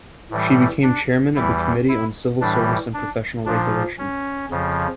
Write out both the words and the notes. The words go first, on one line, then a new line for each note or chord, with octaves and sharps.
She became chairman of the Committee on Civil Service and Professional Regulation.
A2 E3 G3
D4
E2 E3 G3 E4
E4
A2 E3 G3 D4
D4
A#2 F3 D4
C#4
F2 C#3 F3